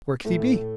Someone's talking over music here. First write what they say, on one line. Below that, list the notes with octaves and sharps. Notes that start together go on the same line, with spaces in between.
Where could he be?
A2 A3
A2
A2